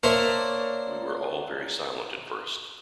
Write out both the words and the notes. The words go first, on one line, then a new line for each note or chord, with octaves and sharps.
We were all very silent at first.
A#3 D4 A#4 C5 C#5 E5